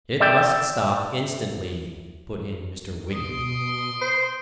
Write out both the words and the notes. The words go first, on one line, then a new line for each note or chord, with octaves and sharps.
"It must stop instantly," put in Mr. Wygant.
D5 E5 G5
B2 C6 D#6 D7
C5